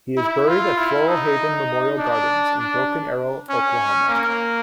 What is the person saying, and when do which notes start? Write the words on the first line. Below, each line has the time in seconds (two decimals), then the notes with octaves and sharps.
He is buried at Floral Haven Memorial Gardens in Broken Arrow, Oklahoma.
0.17 E4
0.48 F4
0.78 E4
1.08 D#4
1.98 D4
2.59 D4
3.50 C#4
4.09 A#3